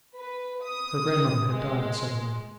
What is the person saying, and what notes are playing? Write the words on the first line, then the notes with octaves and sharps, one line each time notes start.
Her grandmother had died suddenly.
B4
D#6
G#3